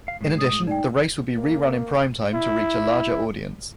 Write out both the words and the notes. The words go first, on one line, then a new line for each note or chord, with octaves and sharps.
In addition, the race would be rerun in primetime to reach a larger audience.
F5
A2 G#3 G#4
D#6
D#4 D5 G5
A#3
E4